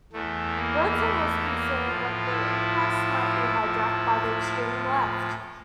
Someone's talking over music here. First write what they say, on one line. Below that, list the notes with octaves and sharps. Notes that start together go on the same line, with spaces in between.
Burton was concerned that the inquest might be hijacked by the "extreme left".
E2 E3 A3
A#3
A3
A#3
A2 F3 F4
E4
A2 F3